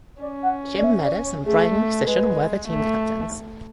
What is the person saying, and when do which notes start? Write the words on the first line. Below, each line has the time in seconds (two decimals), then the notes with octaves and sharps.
Jim Medes and Brian Musician were the team captains.
0.21 C#4 D5
0.43 F#5
0.74 D5
0.84 E5
1.04 D5
1.25 C#5
1.45 A3 G#4
1.98 A4
2.07 G#3 B4
2.68 A3